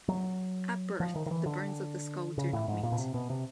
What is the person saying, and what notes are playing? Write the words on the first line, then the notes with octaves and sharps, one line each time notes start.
At birth, the bones of the skull do not meet.
F#3
F3
D#3
D#3
E3
D3
C#3
A2
G#2
A#2
B2
C3
B2
C3